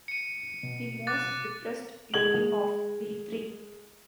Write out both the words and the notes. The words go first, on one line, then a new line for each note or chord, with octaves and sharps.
The most depressed-looking of the three.
C#7 D#7
B2
D6 F#6 A6
G#3 G#6 F#7